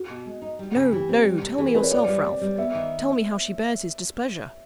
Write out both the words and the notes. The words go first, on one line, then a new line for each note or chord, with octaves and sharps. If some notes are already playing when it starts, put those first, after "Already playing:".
"No! no! tell me yourself, Ralph--tell me how she bears his displeasure!"
Already playing: F#4
B2
G#3
D#4
G3
C#3
E3 G4
C4
G3
C3
E3 G#4
A#4
C4 B4
C#5
F4 D5
G3
C4
G3
B3 E5
D#3